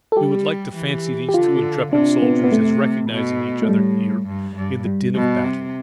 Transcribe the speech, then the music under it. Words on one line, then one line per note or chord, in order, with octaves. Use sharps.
We would like to fancy these two intrepid soldiers as recognizing each other here in the din of battle.
A4
G3 G4
E3
G4
D3 F4
C3 D4
B3
B3
A3
B2
A3
A2 G3
G2
G2
G3
B2
C3